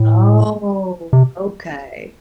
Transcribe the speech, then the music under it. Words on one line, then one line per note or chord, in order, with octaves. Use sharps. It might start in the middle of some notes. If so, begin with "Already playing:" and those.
Oh. Okay.
Already playing: A2
C3